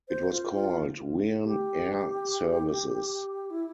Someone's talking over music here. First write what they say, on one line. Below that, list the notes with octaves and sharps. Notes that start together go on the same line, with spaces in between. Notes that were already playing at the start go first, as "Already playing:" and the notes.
It was called Wearne Air Services.
C5
F4
F4
G4
E4